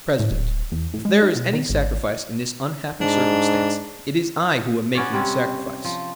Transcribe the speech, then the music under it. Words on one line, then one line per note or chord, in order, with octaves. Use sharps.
President, if there is any sacrifice in this unhappy circumstance, it is I who am making the sacrifice.
A2
D1
E2
A2
G#3
D#4
B2
D#3
G#1
G#2 D4
B3 C#4 D5
C3 G3 C4 C#4
F3